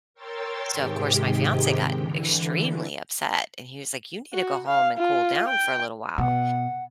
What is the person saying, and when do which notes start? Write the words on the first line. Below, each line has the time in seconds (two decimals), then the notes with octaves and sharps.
so, of course, my fiance got extremely upset, and he was, like, "You need to go home and cool down for a little while.
0.14 A#4 C#5 G5 C6 E6 A6
0.73 G#2 C3 D#3 G#3 G4 G5
1.91 D3 E3
4.33 F#4
4.67 F5
4.98 F4
5.48 G5
6.18 B2 F#5